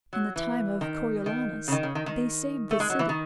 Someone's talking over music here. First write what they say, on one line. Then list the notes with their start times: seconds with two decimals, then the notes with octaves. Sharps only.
In the time of Coriolanus they saved the city.
0.13 F#3
0.36 E3
0.81 D#3
1.26 D#3
1.68 C#3
1.72 D#3
1.83 C#3
1.95 D#3
2.06 D#3
2.71 A3
2.80 G#3
2.90 F#3
2.99 E3
3.09 D#3